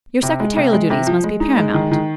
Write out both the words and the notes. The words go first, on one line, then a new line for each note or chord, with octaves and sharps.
Your secretarial duties must be paramount.
C3
G#3
C3
G#3
C3
F3
G#3
D#4
G#3
D#3
D#3